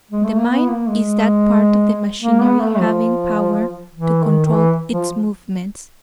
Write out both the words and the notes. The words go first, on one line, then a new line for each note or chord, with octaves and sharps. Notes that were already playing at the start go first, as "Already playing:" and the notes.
The mind is that part of the machinery having power to control its movements.
G#3
A3
A#3
B3
A#3
G#3
A#3
B3
A3
F3
E3
D#3
D#3
E3
F3